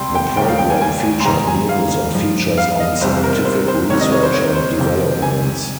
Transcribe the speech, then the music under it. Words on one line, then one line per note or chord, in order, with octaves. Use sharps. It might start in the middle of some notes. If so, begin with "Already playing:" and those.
The program featured news and features on scientific research and developments.
Already playing: C#2 C3 G3 G5 C6
G5
D#2 D#3 G3 G5
F5
G5
G#5
G#5
G#5
C6
G#2 D#3 G3 A#5
G#5
F5
G2 F3
F5
D#5
C2 C3 G3 C5
A#4
C5
C5
C2 C3 D#3 G3 C#5
D#5
C#5
C5
C#5
C5
F2 C3 D#3 G3
G#5